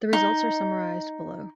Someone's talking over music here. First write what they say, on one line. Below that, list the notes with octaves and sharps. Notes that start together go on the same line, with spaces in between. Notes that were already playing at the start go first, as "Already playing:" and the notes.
The results are summarised below.
D#4